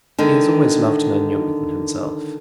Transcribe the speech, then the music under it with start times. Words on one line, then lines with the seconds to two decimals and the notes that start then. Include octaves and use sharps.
He has always loved men younger than himself.
0.18 D3 D#3 G#3